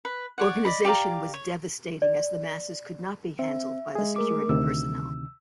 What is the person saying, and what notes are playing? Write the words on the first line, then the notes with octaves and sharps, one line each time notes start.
Organization was devastating as the masses could not be handled by the security personnel.
B4
C#5 D5 F#5
D5 D#5 B5
G4 D5 F5 A#5
C#5
D5
C4 E5
G#3 G#4
A3 A#4 D6
D2 C3 D#3 E6